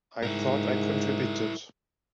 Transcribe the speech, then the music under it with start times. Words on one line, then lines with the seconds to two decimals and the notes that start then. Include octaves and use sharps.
I thought I contributed.
0.23 G#2 E4 A#4